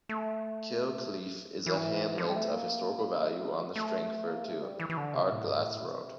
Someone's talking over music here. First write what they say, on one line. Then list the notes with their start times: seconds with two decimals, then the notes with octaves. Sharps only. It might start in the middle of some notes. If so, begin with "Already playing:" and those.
Kilclief is a hamlet of historical value on the Strangford to Ardglass road.
0.09 A3
1.66 E3
2.18 F3
2.30 G3
2.36 A3
2.53 A#3
3.23 A3
3.76 A3
4.27 A#3
4.45 A3
4.62 G3
4.80 E3
4.90 E3
4.97 D3
5.15 C3
5.32 A2
5.45 G2
5.59 A2
5.84 C3